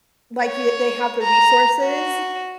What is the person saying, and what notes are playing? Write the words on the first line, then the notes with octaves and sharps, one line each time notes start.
like you they have the resources
C#5
A#5
F#4